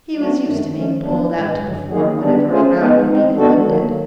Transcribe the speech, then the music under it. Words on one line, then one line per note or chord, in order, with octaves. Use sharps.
He was used to being pulled out to perform whenever a crowd could be collected.
F#3 A3 D4 F#4
F#2 D#3 F#3 A3
F3 A3 C#4
F#3 B3 D4
A2 E3 G#3
G2 D3 F#3
D#3 F#3 A#3 D#4 G#4
D3 G3 B3 D4
A3 C#4 F4 G#4 C5
G#3 B3 D#4
G#3 C4 D#4
G#3 B3 D4 F#4 A4
D#3 F#3 A#3